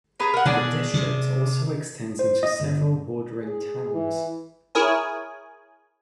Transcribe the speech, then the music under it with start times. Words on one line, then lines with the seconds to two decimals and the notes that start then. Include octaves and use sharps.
The district also extends into several bordering towns.
0.20 G#4 B4 A#5
0.34 A#4 F#5
0.46 B2 D4 G#4 D5
0.94 C3
2.19 C5
2.43 D#5
2.60 G1
3.43 G#4
3.94 E3
4.75 E4 G#4 A#4 C#5 G#5